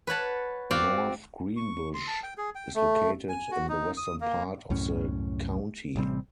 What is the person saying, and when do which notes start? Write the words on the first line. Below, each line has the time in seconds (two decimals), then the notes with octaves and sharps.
North Greenbush is located in the western part of the county.
0.07 B4 C#5 F#5 A5
0.71 C4 F#4 D5 F5 G5
1.57 C#6
1.94 C6
2.07 A5
2.23 G5
2.38 G#4
2.55 G5
2.75 A3
3.29 G#5
3.51 F#4
3.69 D#4
3.97 D#6
4.21 A#3
4.70 C2 F#2 A2 C#4
5.96 A1 C3 G3 C4